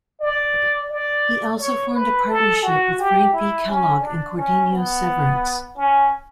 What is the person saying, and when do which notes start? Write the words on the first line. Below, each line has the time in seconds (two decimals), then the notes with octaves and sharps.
He also formed a partnership with Frank B. Kellogg and Cordenio Severance.
0.20 D5
0.90 D5
1.59 C#5
1.94 B4
2.30 A4
2.63 F#4
2.99 G4
3.33 E4
3.68 C#4
4.02 D4
4.37 C#4
4.72 B3
5.76 C#4